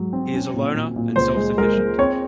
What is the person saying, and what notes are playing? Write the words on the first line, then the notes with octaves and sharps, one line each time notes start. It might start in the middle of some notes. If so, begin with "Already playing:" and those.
He is a loner and self-sufficient.
Already playing: G#2 F#3
C4
C#4
A#2
A#2
A#2
C#2 C5
G#3
G#3 A#4
G#3
C4 C#5